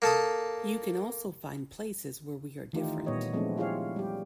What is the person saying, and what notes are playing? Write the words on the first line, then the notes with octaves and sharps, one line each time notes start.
You can also find places where we are different.
A#3 A4 A5 D#6
D#3 E3 A3 D#4 F4 G4
A#2 G3 B3 C#5 D#5
F3 G#3 A3 B3 C4 D4
E4 F4 G4 G#4 C#5 F5
G3 G4